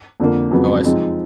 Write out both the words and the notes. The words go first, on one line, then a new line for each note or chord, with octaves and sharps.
Oh, I see.
F2 D3 F3 A#3
F2 C#3 F#3 B3
F3 G#3 C4 D#4